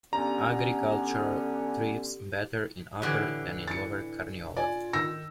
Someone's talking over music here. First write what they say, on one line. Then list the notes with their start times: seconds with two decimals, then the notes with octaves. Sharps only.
Agriculture thrives better in Upper than in Lower Carniola.
0.13 D3 B3 C#4 G4 A#5
3.02 A2 D3 E3 G4
3.68 E4 A6 C#7
4.57 F4 D5 G#5
4.93 D#3 E6 A#6